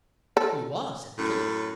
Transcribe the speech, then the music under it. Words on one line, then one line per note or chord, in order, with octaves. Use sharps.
'You are,' said the King.
A4
F#2 A2